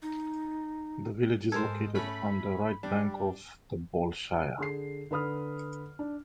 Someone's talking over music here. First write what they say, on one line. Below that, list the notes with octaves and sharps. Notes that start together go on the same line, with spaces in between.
The village is located on the right bank of the Bolshaya.
D#4
G#2 G#3 A4 A#4 C5 G#6
A3 C#4 B5
G3 D4
D3 G#4 C7
D3 B4 B5 D#6 F6
D4